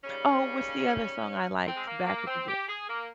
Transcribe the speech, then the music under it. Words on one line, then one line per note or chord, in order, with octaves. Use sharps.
oh, what's the other song I liked back in the day?
D#2 C#3 G3 C#4
C4
G#3
A#3
A#3
C4
G4
G#4
A#3